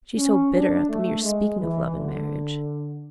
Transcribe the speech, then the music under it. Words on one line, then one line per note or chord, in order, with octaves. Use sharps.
She's so bitter at the mere speaking of love and marriage.
C#4
D4
A3
G#3
E3
D3